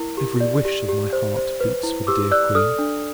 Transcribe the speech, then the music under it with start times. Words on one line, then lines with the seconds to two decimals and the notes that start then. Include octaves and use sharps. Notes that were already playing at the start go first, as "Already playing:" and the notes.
Every wish of my heart beats for the dear Queen.
Already playing: E4 A#4
0.17 G4
0.40 D5
0.65 G4
0.89 G4
1.13 C5
1.37 C5
1.60 B4
1.83 E4
2.07 G4 D6 E6
2.31 D5 E6 F#6
2.55 A4 D#6 F6
2.79 D4